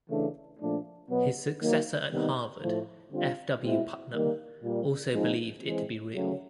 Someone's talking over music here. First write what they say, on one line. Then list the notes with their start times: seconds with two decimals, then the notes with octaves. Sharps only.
His successor at Harvard, F. W. Putnam, also believed it to be real.
0.09 C#3 E3 A3 D4
0.59 A#2 F3 A3 D4
1.09 B2 F#3 B3
1.60 D#3 F#3 A#3
2.10 C3 D#3 G3 B3 D#4
2.60 A2 F3 A3
3.11 D3 G3 C4 F4
3.62 B2 G#3 C4 E4
4.12 D#3 G3 A#3
4.62 A#2 G3 A#3
5.13 F3 G#3 C4 D#4
5.63 E3 G#3 C4
6.14 C#3 F#3 A3 C#4